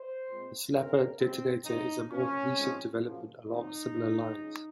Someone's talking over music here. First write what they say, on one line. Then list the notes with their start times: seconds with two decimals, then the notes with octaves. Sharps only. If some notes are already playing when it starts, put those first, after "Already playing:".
The slapper detonator is a more recent development along similar lines.
Already playing: C5
0.29 A#2 G#3 C4
0.74 D#2 C#3 F#3 C4 A#4
1.19 F2 C#3 F3 G#3 C4
1.65 C#2 C3 F#3 C4 D#4
2.10 F#2 F3 A#3 C#4
2.56 G#2 F3 G#3 C4
3.01 F#2 C#3 F3 A#3
3.46 F2 D#3 F#3 C4 D#4
3.92 C2 A#2 F3
4.37 C#2 C#3 G#3